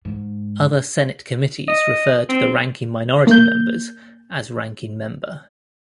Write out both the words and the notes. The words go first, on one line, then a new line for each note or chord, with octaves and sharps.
Other Senate committees refer to the ranking minority members as Ranking Member.
G#2
D#5
C4
A#3 G6